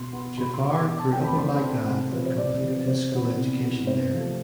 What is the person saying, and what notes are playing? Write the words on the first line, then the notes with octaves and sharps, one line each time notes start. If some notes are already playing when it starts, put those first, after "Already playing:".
Jafar grew up in Baghdad and completed his school education there.
Already playing: B2 C6
B3
B2 B5
C6
B3
D6
D3 D6
A5
A3 C4 G5
B5
D3 C6
A3 C4
C3
F3 C4 B4
C5
C3 D5
F3 C4
C3 C5
E3 B3 C5
C3
E3 B3
C3 C5
F3 A3 C4